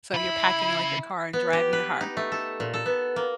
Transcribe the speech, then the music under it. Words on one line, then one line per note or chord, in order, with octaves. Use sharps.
So you're packing, like, your car and driving to her.
C#3 E4 B5
B3
G4
B4
D#4
A3
A4
A#2
A4
B3
A#3